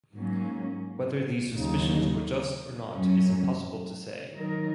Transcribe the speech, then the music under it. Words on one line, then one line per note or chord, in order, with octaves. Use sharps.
Whether these suspicions were just or not is impossible to say.
G#2 F#3 A#3 C#4
D#2 C#3 F#3 D#4
F#2 F#3 C#4
D#3 F#3 D#4 A#4